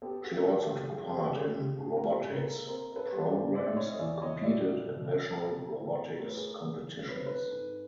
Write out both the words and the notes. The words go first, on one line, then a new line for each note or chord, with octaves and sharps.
She also took part in robotics programmes and competed at national robotics competitions.
B3 G4 A4
F#4 G#4
A#4
F#2 G4 A4
G4
F#3 F#4 G#4
G#4
G4 A4
C#3 F#4 G#4
G4
A#2 F#4 G#4
A#4
G4 A4
A#2
B4
G#4 A#4
C4 A#4 C5
A#4
A4 B4
G3
C5 D5
C4 C5 D5
E5
C#5 D#5
D#5
E2 D5 E5
C#5 D#5
G3 D5 E5
B2
C4
A2
A3 A#4
B4
G#4 A#4
F#3
C4 B4
C5
A4 B4
G#2